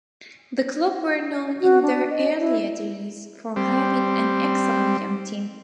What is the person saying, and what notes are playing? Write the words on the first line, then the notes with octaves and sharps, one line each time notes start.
The club were known in their earlier days for having an excellent young team.
F#4
D4
D#5
E4
G3 C4